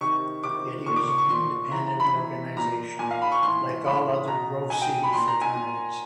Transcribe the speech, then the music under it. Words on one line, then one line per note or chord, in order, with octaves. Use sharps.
It is an independent organization, like all other Grove City fraternities.
C3 D#3 C#6
C3 D#3 D6
A#2 C#6
D6
C#6
C#6
A#2 C6
C3 E3 A#5
A#5
B5
C3 E3
A#2 A#5
A#2 G#5
F5
B5
C#6
A2 E3 C6
A2 E3 B5
B2 A#5
B2 G#5
G5
B5
A#2 C6
A#5
G#5
A#2